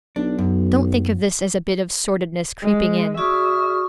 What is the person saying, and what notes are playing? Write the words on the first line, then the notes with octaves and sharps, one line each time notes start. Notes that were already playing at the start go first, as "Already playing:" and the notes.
Don't think of this as a bit of sordidness creeping in.
B1 D4
F#2
G#3
F#4 G#4 D5 E5 C#6 D#6 F6